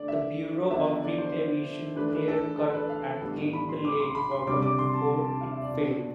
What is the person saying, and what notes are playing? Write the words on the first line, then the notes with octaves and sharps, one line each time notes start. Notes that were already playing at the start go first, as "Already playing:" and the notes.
The Bureau of Reclamation clear cut and cleaned the lake bottom before it filled.
Already playing: D3 A3 D4 D5
E5
D3 F3 B3 D4 E5
E5
D5
C5
E3 A3 D4 B4
B4
A4
A4
B4
F5
A2 G3 B3 D4
B5
C6
D6
C6
B5
C6
C3 G3 D4 D6
D6
C6
A5
A5
A5
F5
E5
D5
B2 B3 D4